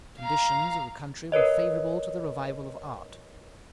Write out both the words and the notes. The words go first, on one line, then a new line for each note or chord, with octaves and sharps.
The conditions of the country were favorable to the revival of art.
F5 A#5
A#4 B4 C#5 D#5